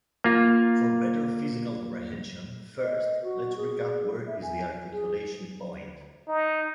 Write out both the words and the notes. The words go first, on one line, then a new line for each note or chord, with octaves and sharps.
For better physical comprehension, first, let’s recap where is the articulation point.
A#3 F4
D#5
F#4
G#4
E5
G#5
G#4
D#4